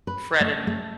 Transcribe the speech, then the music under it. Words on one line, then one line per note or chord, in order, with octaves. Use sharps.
Fred and-
B4
A3
A3